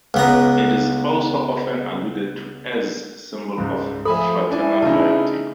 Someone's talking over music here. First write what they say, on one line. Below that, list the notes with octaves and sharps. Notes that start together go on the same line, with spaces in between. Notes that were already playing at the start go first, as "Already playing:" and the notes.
It is also often alluded to as a symbol of fraternal loyalty.
C#2 B3 A#5
C#2 G#2
F3 A3 A4 E5 G#5 B5
D4 E4 G#5
C#3 A3 D4 D#4 A5